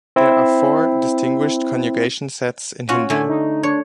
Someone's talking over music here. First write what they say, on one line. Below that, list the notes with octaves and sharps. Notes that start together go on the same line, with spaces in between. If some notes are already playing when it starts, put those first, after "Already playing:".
There are four distinguished conjugation sets in Hindi.
C4 E4
C#4 F4 F#4
D3 A3 G#5
D#4
D4 C#5